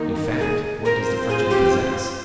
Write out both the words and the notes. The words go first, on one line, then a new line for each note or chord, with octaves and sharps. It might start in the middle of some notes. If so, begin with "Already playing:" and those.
In fact, what does the Frenchman possess?
Already playing: D#3 A#3 D#4
G#4
C4 F4 A#4 C5
G#4
G4